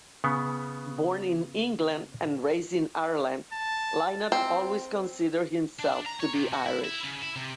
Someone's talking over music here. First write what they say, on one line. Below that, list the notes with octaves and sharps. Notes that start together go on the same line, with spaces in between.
Born in England and raised in Ireland, Lynott always considered himself to be Irish.
C#3 B3
A5
C4
D4
A#5
C#5
C3
F#4
E4
E4
C#3
E4
C3